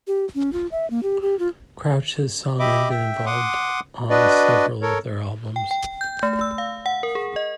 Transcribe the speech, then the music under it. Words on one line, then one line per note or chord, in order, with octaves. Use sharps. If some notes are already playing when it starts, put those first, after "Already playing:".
Crouch has sung and been involved on several of their albums.
G4
C#4
F4
E5
A#3
G4
G4
F4
G4 D#5 E5 B5 D6
E5 G5
F#5 C6 D6 D#6
D4 F#4 B4 D5 D#5
A4 A#4 C#5
G5
G5
G6
A3
E6
F5
F#5
A#4
G#4
D#5